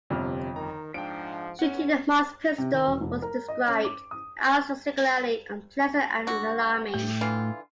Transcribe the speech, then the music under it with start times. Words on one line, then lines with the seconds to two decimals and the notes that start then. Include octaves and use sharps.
Shooting the Mars pistol was described as "singularly unpleasant and alarming".
0.10 G1 F2 C3 F6
0.56 D#3 A#5
0.94 G#2 F3 D4 G5 D7
1.59 E2 C#4 F#5
2.58 C3
2.72 D#3
2.87 E1
3.01 F1
3.22 A#4
3.48 D#5
3.68 C#4
3.84 D6
4.11 D#6
6.27 D3 F#4
6.94 A2 A3 G5
7.21 D3 E3 F4